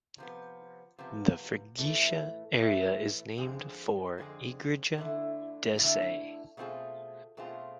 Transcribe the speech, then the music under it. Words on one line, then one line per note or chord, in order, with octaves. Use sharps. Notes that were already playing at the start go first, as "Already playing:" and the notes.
The freguesia area is named for "Igreja da Sé".
C3 F3 B3
C3 F3 B3
A2 E3 A3
A2 E3 A3
F2 D3 G#3 C4 G#4
F2 D3 G#3 C4 G#4
D3 A3 E4
D3 A3 E4
B2 A3 C4 F4 G#4
B2 A3 C4 F4 G#4